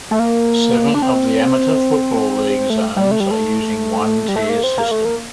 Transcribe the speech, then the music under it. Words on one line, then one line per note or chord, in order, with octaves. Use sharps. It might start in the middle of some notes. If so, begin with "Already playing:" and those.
Seven of the Amateur Football League zones are using one-tier system.
A3
A#3
D4
C4
A3
G3
A3
G3
A3
G3
A3
A#3
C4
A#3
A3
A#3